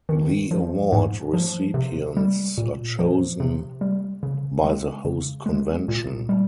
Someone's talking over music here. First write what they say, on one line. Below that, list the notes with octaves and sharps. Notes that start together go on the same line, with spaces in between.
The award recipients are chosen by the host convention.
D#3
F3
G#2
F3
C3
G3
A#2
F3
C3
G3
C#3
G#3
C#3
G#3
A#2
G3